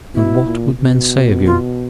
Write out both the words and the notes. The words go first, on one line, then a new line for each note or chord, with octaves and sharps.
"And what would men say of you?"
B2 E4
A#2
B2
F4